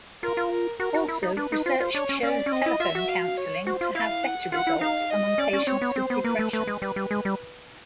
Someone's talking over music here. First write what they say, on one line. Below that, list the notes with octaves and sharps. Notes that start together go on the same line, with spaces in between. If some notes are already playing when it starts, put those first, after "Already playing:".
Also research shows telephone counseling to have better results among patients with depression.
F4 A#4
F4
A#4
F#4 A#4
F#4
E4
D#4
D4 B4
D#4
F4 C5
F4
D4 C#5
C#4
C#4 D5
C#4
C4 D#5
E4
F4 E5
F#4
F5
C#5
F#4 C5
F4
E4 F5
F#5
F4 F#5
E4
D#4 F5
D#5
C#4 D5
C#4
C4 C#5
B3
C4 C5
B3
A#3 B4
A3
A3 B4
G#3
G3 B4
G3
G#3
G3